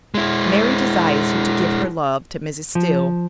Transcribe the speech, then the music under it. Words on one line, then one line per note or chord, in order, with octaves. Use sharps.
Mary desires you to give her love to Mrs. Still.
G#3 E4
F3